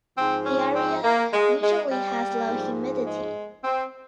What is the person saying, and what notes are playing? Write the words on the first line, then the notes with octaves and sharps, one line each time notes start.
The area usually has low humidity.
G#2 F3 C4
C#4
C4
A#3
G#3
G#3
G3
G#2 F3
G#3
C4